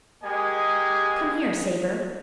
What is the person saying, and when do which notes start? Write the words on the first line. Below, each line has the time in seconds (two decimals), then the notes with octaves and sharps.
"Come here, Sabre."
0.24 G#3 A#3 G4 G#4 D#5 G#5